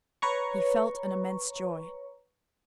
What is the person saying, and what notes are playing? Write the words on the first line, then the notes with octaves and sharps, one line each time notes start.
He felt an immense joy.
B4 C#5 A#5 C#6